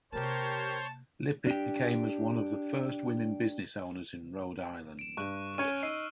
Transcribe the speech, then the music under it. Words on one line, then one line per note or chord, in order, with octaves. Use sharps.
Lippitt became as one of the first women business owners in Rhode Island.
C3 A#3 G4 A#4 C5 C#5 A5
D4 G4
D7 E7
G2 C#6 F#6
C#4 C#5 C#6 F6 D#7
D#4 E6 C7 D#7